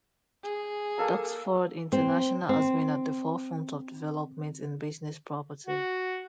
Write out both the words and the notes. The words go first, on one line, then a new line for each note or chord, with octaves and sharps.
Doxford International has been at the forefront of developments in business property.
G#4
A#3 A4 A#5
C4
C4
F#4